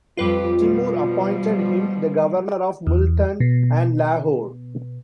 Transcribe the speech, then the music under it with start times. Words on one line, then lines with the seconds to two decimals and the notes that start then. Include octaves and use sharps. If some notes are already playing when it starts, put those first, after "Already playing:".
Timur appointed him the governor of Multan and Lahore.
0.17 F2 G3 F4 G4 B4
0.60 B2 F3 G3
2.87 E2
3.40 B2